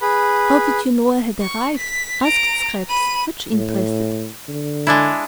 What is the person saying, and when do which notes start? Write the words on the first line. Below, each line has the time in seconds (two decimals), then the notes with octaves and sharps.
"How did you know I had arrived?" asked Scraps, much interested.
0.01 G#4 B4 B5
1.42 C#6
1.78 B6
2.22 A#5 D7
2.89 B5 D#7
3.53 A2
4.48 D3
4.87 G#3 D4 E4